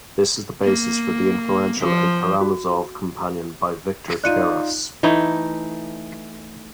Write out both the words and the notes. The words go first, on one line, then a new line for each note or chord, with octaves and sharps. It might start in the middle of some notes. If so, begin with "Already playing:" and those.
This is the basis for the influential "A Karamazov Companion" by Victor Terras.
A#3
F3
F#4
D#4 F4 D5 F#6 C#7 D#7
E3 A3 D#4